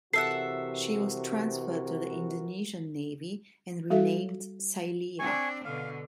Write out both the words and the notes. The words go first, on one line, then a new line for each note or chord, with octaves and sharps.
She was transferred to the Indonesian Navy and renamed "Silea".
C3 E3 F#4 A4 A#4 E5 F#5 C7
G3 F#4 A4 E5
C4 D4 G#5 C#6
B2 D3 F5